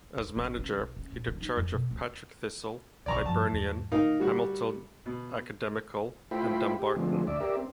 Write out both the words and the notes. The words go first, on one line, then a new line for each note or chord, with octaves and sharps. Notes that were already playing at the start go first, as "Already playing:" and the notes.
As manager, he took charge of Partick Thistle, Hibernian, Hamilton Academical and Dumbarton.
D#2
A1
C#3
B1
C#3
A#2
D3
D#4
F2
B2
D2
D1 B1 E3 D5 A#5 C#6
G2 F3 A5
E2 G#2
A2 D#4 A#4 F5
G3 F#4
B2
A3 E4 F4 C5 G5 B5
G4
D3 F3 G#3 A3 C4
D2 D5 E5
G4 A#4 D5 E5
C4